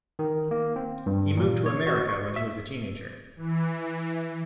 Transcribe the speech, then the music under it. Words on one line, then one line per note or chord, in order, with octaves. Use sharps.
He moved to America when he was a teenager.
D#3
A#3
C4
G2
A#2
C#5
F#4
C#6
E5
E3